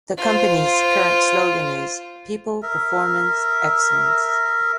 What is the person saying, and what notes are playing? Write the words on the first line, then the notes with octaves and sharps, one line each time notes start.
The company's current slogan is, People, performance, excellence.
F4 C5
A#4 E5